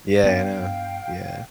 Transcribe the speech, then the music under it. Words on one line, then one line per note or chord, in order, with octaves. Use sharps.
Yeah, I know. Yeah.
G2 B3 D4 F5 G5